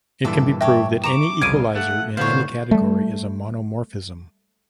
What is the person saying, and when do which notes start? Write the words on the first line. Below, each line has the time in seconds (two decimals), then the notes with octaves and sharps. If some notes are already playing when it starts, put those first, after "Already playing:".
It can be proved that any equalizer in any category is a monomorphism.
0.25 G2 A#2 E3 A4 D5 E5
0.61 G4 A4 C#5 E5
1.04 A#5 C#6 D6 E7 F7
1.42 C2 F2 C#3 F5 G#6 D7 D#7
1.75 A3 F#5
2.17 A2 D3 B3 C5 C#5 F5
2.71 G3 A3